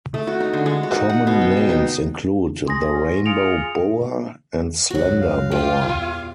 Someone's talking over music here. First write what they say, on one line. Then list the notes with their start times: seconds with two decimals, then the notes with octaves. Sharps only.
Common names include the rainbow boa, and slender boa.
0.14 A3
0.27 F#4
0.40 D#4
0.53 D3
0.66 G#3
0.83 F#4
0.96 D#4
1.10 F#5
1.27 B2
1.42 G5
1.57 G5
1.69 D#4
2.68 G#4 C6 A#6
2.94 C#4
3.26 F4 G#4 C#7 D7 F7
4.91 C#2 F#2 F#3 F#4
5.21 F5
5.51 F4 G4
5.86 E2 A#2